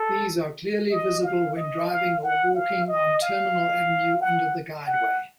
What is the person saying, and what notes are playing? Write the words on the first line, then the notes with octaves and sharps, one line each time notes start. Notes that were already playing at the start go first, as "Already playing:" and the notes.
These are clearly visible when driving or walking on Terminal Avenue under the guideway.
Already playing: A4
D#5
F5
D#5
F5
F#5
F5
D#5
F5
F#5
F#5